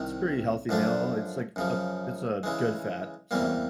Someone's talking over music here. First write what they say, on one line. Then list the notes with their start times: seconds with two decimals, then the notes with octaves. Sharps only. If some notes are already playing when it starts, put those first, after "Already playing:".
it's a pretty healthy meal, it's, like, f a it's a good fat, so
Already playing: C2 C3 D#3
0.69 F#2 D3 F3 A3 D4
1.56 F#2 C#3 F3
2.43 C#3 E3 G#3
3.31 E2 C3 E3 G3 A#3